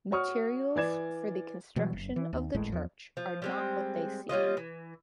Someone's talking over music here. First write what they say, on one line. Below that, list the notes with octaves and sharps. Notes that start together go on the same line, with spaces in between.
Materials for the construction of the church are not what they seem.
F#4 C#5 C#6 D#6 F6
E3 D5 G#6 E7
B2 E3 F#3 G3
F#1
E3
D#2
D#1 G#1 A2 G#3
E2 F3
F3
G3 G#3 C4
G3 C#4 F4 D#5
E3